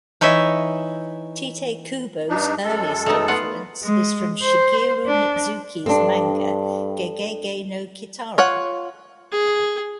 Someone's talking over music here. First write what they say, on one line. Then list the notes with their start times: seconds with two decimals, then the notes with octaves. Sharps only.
Tite Kubo's earliest influence is from Shigeru Mizuki's manga "Gegege no Kitaro".
0.21 E3 D#4 C#5 D#5 E5
2.29 G2 D4 D#4
2.64 F#2 G#3 A4
3.06 A3 B3 D#4
3.28 B3 F4 F#5
3.83 G#3
4.42 C5
5.07 D4
5.86 G2 C4 D4 A4
8.38 F4 C#5 F#5
9.32 G#4